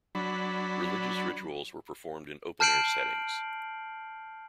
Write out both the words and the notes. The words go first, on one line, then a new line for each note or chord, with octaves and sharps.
Religious rituals were performed in open air settings.
F#3 D4 B5
A5 F6 G6 C7 D7 F#7